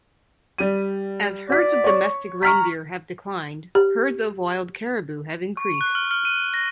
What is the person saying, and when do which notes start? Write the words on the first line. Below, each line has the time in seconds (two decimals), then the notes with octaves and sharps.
As herds of domestic reindeer have declined, herds of wild caribou have increased.
0.58 G3 G4 D#7
1.50 F#4 D5 B6
1.84 C#5 C#6
2.43 A#5 C#6 F6 B6
3.75 G4
5.57 C#6
5.81 F#6
5.95 F6
6.11 F6
6.25 D#7
6.54 A#6